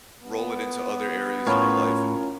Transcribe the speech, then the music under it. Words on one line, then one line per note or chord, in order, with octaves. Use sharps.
roll it into other areas of your life, and
B3
A2 C#4 F4 A#4 C#5